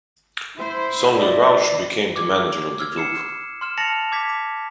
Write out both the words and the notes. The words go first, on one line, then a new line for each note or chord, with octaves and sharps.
Sonley Roush became the manager of the group.
E4 C5
E4 D5 D#5
D6 G#6
E6 F6 G#6
C7 C#7 E7
C6 F6 E7
A5 A6 A#6 C#7 F7 F#7
D6 G#6 B6